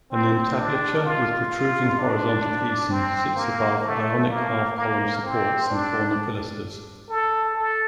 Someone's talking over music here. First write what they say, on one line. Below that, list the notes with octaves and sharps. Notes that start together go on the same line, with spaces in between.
An entablature with protruding horizontal geison sits above Ionic half-column supports and corner pilasters.
C4
D4
F4
F4
D4
C4
A#3
A3
A#3
A#3
C4
D4
A4
A4